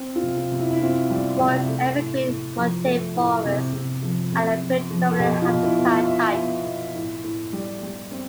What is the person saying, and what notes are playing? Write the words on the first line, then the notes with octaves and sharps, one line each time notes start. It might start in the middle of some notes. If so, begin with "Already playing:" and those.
Moist evergreen montane forests are the predominant habitat type.
Already playing: C4
F4
C3
F4
C3
E4
E4
C4 F4
G3
C3
A3
A2
A2
F3
A3
A2
C3
C3
F3
C3
F3
F3
A4
B2 G4
F4
B2
E4
B3
F4
B3 E5
B3
B2
A2
A2
G3
G3
C4